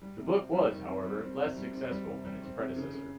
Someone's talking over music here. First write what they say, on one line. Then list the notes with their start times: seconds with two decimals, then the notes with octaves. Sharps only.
The book was, however, less successful than its predecessor.
0.01 G3
0.19 C3
0.36 C4
0.53 G3
0.70 D#3
0.87 C4
1.05 G3
1.22 C4
1.39 C3
1.56 G3
1.74 C4
1.91 G3
2.08 C3
2.25 G3
2.42 C4
2.59 C3
2.76 C#3
2.93 C#3